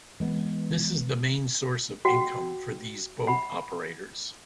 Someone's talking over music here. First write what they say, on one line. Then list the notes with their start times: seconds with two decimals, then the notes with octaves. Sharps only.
This is the main source of income for these boat operators.
0.20 E3 G#3 A3 B3
2.05 F#4 F#5 G5
3.27 F#5 B5